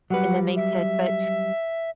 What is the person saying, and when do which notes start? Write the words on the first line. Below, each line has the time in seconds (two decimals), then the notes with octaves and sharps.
and then they said, "But
0.10 F#3 G3 B4 F#5
0.56 E5